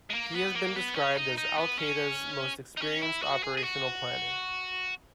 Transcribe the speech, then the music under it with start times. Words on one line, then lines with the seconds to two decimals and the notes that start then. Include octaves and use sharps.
He has been described as Al-Qaeda's most experienced operational planner.
0.10 G#3
0.14 A#3
0.35 B3
0.56 A#3
0.76 B3
0.96 C#4
1.17 D#4
1.37 D#4
1.58 B3
1.79 C#4
2.77 D#4
2.82 C#4
3.02 E4
3.23 F#4
3.44 G#4
3.57 G#4
3.64 F#4